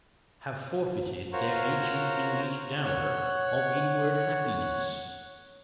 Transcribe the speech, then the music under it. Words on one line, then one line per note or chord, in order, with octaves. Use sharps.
Have forfeited their ancient English dower Of inward happiness.
F4 F#4 A#4 C5 C#5
C#5 F#5